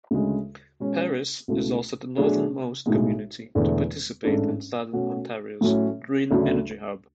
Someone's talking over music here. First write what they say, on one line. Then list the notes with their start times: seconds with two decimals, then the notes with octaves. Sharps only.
Paris is also the northernmost community to participate in Southern Ontario's Green Energy Hub.
0.11 D2 C#3 G#3
0.80 B2 G#3 C#4
1.48 C#2 B2 A3 E4
2.18 B2 F#3 A3 D4 G#4
2.86 B1 A2 G#3
3.55 E1 E2 D3 A3
4.24 A1 G#2 G#3 D4 A4
4.93 B2 A3 C#4 F#4
5.61 A2 F#3 A3 C#4
6.30 D2 C#3 F#3 A3 D4